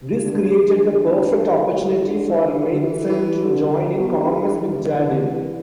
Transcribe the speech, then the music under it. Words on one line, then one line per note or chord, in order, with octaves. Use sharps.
This created the perfect opportunity for Matheson to join in commerce with Jardine.
G2
G2
A2
D3
E3
D3
D3
E3
E3
D3
B2
G2
D3
E3
D3
E3